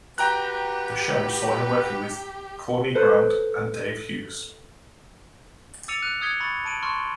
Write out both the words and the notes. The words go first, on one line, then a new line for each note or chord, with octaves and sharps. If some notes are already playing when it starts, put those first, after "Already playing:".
The show saw him working with Corinne Grant and Dave Hughes.
F#4 G4 B4 G5 A#5 F#6
A4 B4 C5
D6 E6 A6 C#7 D#7 F7
F6 F#6 D#7 F7
D#6 F6 G#6 B6 C#7 G7
B5 C#6 A6
A5 D7 D#7 F#7
A5 C6 C#6 F6 G7